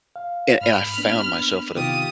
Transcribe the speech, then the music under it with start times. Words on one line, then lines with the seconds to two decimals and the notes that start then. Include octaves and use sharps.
and and I found myself at a
0.16 F5
0.61 G#2 B5 F6
0.98 A#3 B3 D4
1.76 C3 D#3 B3 F4 G4 D#6